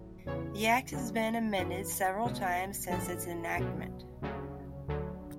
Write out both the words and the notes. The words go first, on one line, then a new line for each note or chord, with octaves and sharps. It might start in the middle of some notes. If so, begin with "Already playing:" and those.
The Act has been amended several times since its enactment.
Already playing: A1 A2 F#3
E2 C#3 E3 C#5
D2 D3 F#3
F#2 E3 B4
C#2 B2 F#3
A1 G#2 F#3 A4
C#2 B2 F#3
D2 C#3 F#3
D2 D3 F#3